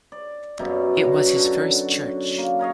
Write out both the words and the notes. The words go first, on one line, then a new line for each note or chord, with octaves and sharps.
It was his first church.
D5
F#2 B2 F#3 G3
F#4
D3
A#3
A#4 C#5 D#5 F5